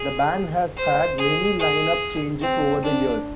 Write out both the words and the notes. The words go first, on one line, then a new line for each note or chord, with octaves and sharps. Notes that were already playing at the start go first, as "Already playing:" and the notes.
The band has had many line-up changes over the years.
Already playing: G#4
C5
G#4
G#4
C4
D4